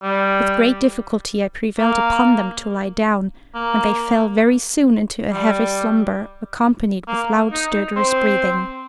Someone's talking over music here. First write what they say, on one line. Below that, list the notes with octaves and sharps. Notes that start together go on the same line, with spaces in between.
With great difficulty I prevailed upon them to lie down, when they fell very soon into a heavy slumber, accompanied with loud stertorous breathing.
G3
A#3
A#3
G3
A#3
D#4
C4